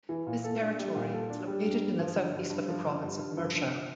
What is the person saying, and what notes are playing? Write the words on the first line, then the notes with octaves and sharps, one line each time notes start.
This territory is located in the southeast of the province of Murcia.
E3
A#2
A4
D4
G3
A#2
A4
D4
G3
G2
G2
F3
D3
G2
G2
F3
D3
G2
G2
F3
D3